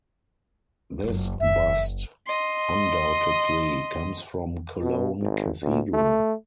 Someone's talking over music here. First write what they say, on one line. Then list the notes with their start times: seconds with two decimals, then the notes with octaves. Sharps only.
This bust undoubtedly comes from Cologne Cathedral.
1.04 F#1 F#3
1.40 F#1 E5
2.26 D#5 C6
4.82 B2
5.21 G#1
5.62 D2
5.93 A3